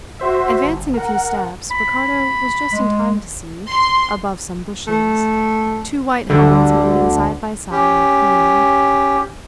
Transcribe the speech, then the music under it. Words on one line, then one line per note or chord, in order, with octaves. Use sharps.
Advancing a few steps, Ricardo was just in time to see, above some bushes, two white helmets moving side by side in the clearing.
F#4 C5 E5
G1
A#4 F#5
B5
G#3
C6
A3
D2 D3 G3
C#4 G4